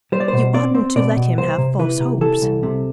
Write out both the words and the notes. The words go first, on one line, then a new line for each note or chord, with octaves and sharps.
"You oughtn't to let him have false hopes."
G3 C5
D5
B2 C5
C4 D5
C4
B2 D5
B2
C2 C5
C3
E3 B4
C3
E3 A4
C2
C3